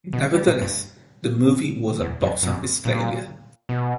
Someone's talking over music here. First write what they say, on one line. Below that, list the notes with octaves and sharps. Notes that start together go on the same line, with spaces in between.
Nevertheless, the movie was a box office failure.
B2
G3
A#2
G2
E2
F#2
F#2
A#2
B2